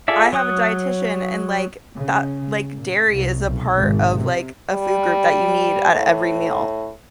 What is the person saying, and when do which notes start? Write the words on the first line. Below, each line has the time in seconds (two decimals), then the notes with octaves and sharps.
I have a dietitian and like that like dairy is a part of like a food group that you need at every meal.
0.08 F4 G#4 A4 D5 E5
0.33 F#3 C#5 D#6 F#6
1.96 C#3
2.75 A#2
3.12 C2
3.44 B1
3.78 G#1
4.15 C3
4.73 G3
5.92 A2